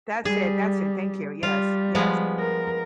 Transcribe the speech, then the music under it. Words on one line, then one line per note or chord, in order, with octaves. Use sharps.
That's it. That's it, thank you. Yes, yes.
G3 G#4
G3 F4
F3 G#3 B3
A#4